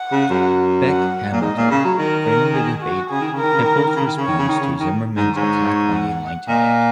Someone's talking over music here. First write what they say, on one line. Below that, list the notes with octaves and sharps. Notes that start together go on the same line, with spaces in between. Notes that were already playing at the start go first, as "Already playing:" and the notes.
Beck, Hamilton: "Framing the Debate: Hippel's Response to Zimmermann's Attack on the Enlightenment".
Already playing: F#5
C#3
F#2
F#5
A#2
G#2 D#5
A#2
C#3 C#5
F#3
D#3 A#4
A#4
G#4
F#4
C#3 G#4
D#3
C#3
D#3 A#4
C#3
D#3
C#3
D#3
C#3
D#3
C#3
C#5
D#3
C#3
D#3
C#3
D#3
G#2
G#2 C#5
F#5
A#2 D#5